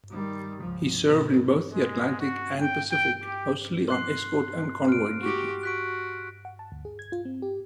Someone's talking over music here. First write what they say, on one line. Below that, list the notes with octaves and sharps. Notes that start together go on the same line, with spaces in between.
He served in both the Atlantic and Pacific, mostly on escort and convoy duty.
D#3 G3
C#2 F3
B2
G#3
F#4
G5
G5
G4
C6 F#6 C7
F6 D7
F#4 G4
F#4 F#6 B6 D7
F#5
A5
D2
G#4
G#6
F4
C4
G4